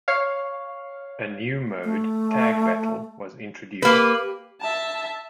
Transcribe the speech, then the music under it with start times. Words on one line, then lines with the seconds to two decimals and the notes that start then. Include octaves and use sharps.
A new mode, Tag Battle, was introduced.
0.08 C#5 F5
1.84 A3
3.82 A#3 G4 B4
4.61 E5 A5